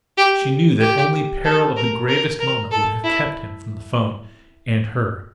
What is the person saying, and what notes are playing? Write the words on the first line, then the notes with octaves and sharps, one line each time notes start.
She knew that only peril of the gravest moment would have kept him from the 'phone--and her.
G4
G4
A4
A#4
A#4
A#4
A4
E4